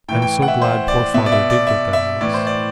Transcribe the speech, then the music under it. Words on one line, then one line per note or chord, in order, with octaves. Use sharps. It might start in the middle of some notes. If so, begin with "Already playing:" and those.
I am so glad poor father did get that house.
A2 E3 G5
G5
F#5
E5
C5
D5
B2 E5
D5
E5
D5
E5
E5
A2 E3 D5
C5
D5